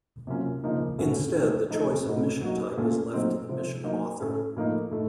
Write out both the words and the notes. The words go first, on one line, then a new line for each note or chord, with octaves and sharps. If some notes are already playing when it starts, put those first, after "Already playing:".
Instead, the choice of mission type is left to the mission author.
C3 F#3 A#3 C#4 F4
C#3 F3 A#3 D#4
A2 A3 C#4 F#4
D#3 A3 D#4 F#4
F3 A3 D#4
A2 A3 D#4 F#4
F#3 A#3 D#4 F#4
A#2 A3 C#4 F4
A#2 F#3 A3 C4 D#4
C3 F3 C4
F#3 A#3 D#4
A2 A3 C#4
A2 F3 A#3 D#4
A2 A3 D#4